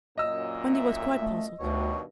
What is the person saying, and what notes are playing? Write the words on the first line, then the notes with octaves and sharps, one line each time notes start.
Wendy was quite puzzled.
F#2 A#2 D#5 E6
E5
A3
D2 G2 B2 D#3 C#5